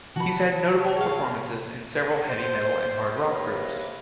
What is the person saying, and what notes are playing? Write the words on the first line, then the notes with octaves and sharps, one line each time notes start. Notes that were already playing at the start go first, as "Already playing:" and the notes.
He's had notable performances in several heavy metal and hard rock groups.
C3 D#3 F3 F#4 A5 B5
G#4 C#5 F5
C5
C3 A#3 B4 C#5